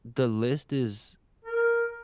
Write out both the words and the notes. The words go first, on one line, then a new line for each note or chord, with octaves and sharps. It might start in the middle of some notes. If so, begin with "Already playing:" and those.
the list is
A#4